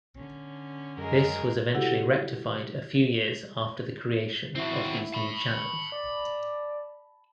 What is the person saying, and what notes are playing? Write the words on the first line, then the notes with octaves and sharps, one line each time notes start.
This was eventually rectified a few years after the creation of these new channels.
D3 C#4
F#2 G#3 A#4
C3 E4 F#4 G4 A4 F#5
C4 E4 F#4
A5 B5
C#7
D5